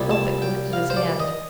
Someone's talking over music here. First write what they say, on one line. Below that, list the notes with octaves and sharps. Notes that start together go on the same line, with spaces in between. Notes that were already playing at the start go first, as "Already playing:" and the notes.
Elphick lifted his hand.
Already playing: C2 A#2 G3
A5
G5
F5
C5
D5
D#5